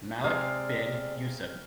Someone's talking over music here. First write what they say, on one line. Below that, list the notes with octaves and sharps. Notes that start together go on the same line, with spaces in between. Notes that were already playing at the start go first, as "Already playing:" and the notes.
Malek bin Yusuf.
C3 G#3 G#4 D5 F5